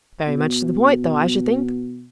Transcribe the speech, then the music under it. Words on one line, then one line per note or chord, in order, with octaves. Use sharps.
'Very much to the point though, I should think.
B2